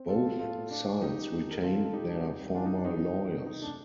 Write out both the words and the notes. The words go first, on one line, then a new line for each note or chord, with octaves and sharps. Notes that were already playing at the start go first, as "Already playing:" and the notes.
Both sides retained their former lawyers.
Already playing: C4
C3 F4 A4
F3
A2 F4 A4
A2
A2 D4 F4
A2
D#3 D#4 G4
D#3
A3
D#3 A#4
C3 F4 A4
C3
A4
C3 D#4 G4
D4
C3
G3
C3 D4 F4
D#4
C3
D4
C4 D#4
C3
C4
C3
C3 D#4
A3 D4